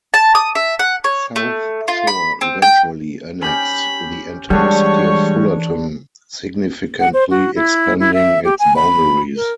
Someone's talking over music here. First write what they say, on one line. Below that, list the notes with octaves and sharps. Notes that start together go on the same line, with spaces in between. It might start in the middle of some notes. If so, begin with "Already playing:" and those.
South Shore eventually annexed the entire city of Fullerton, significantly expanding its boundaries.
A5
D#6
E5
F#5
C#5
A3
F4
B5
C4
G5
C#4 G4 G5 B5
D3 E3 G3 G#3 D4 C#5 C#6
F#5
C5
F#4
E4
E4
E5
G4
G#5
B5
A#4